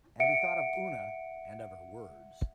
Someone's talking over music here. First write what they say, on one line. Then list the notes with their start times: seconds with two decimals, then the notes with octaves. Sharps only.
And he thought of Oona, and of her words.
0.20 E5 F#5 C#7 D7